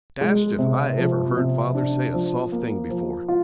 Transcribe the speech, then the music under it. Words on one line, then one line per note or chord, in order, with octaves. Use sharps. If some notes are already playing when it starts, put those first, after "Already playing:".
Dashed if I ever heard father say a soft thing before.
G#3
C3
F3
C3
D4
F3
A#3
F3
F4